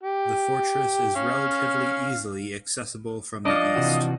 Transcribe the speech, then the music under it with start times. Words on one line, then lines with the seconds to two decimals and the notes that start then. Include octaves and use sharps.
The fortress is relatively easily accessible from the east.
0.03 G4
1.16 C#4 F5
3.45 F3 D4 D5 D#5 F5 D#6
3.75 C3 E3 F#4